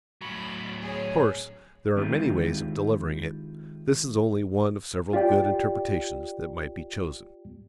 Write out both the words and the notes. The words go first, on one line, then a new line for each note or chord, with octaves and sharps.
Of course, there are many ways of delivering it; this is only one of several good interpretations that might be chosen.
A2 F#3 B5
G#4 C#5
D#3 G#3 C4 E4 F4 G4
F4 G4 D5 G5